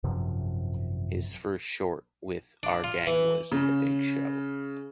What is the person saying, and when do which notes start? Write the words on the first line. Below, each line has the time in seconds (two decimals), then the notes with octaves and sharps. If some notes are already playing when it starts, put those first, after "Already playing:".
His first short with “Our Gang” was “The Big Show”.
0.03 G#1 F#2 C3 F3
2.63 D4
2.84 F4
3.07 E3
3.52 C#3